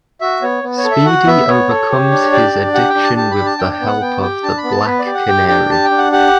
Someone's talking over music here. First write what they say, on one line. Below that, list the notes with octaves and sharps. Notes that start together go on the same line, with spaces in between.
Speedy overcomes his addiction with the help of the Black Canary.
F#4 E5
B3 C#5
B3
C#5
A4
E5
F#4 F#5
B3 E5
B3 C#5
A4
G4
D4
G4 D5
D4
G4 F#5
G5
D4
A5
G4 A5
B5
D4
A5
D4 G5
G5
B3
F#5
B3 G5
G4 G5
D4 A5
B5
B3
A5
B3 B4
D5
G4
F#5
G4 G5
D4 G5
G4 A5
G5
D4
F#5
G4 F#5